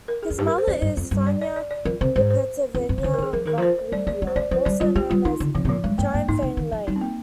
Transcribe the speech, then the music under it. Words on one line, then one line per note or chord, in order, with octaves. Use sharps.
His mother is Faina Ipatyevna Vakhreva, also known as Chiang Fang-liang.
A#4
G#4
F2
G2 G4
A#4
C5
F2 D5
G2
F2
G2
D5
D5
D5
D5
F3 A#4
C3 C5
G#2 C5
C5
F2
G2
C3
D3 C5
A#4
D#3
G#4
F3 A#4
D#3 A#4
F3 C5
G3 D5
A#3 D5
G#3
C5
G#3 D5
F3 C5
G3 D5
G3 F4
G#3 G4
G3 F4
D#3 D#4
D3
C3 F3
C3
A#2 F3
G2 G#3
G2 A#3
G2 A#3
G#2 D#4
C3
D#3
F3
G3 D#4
C4
A#3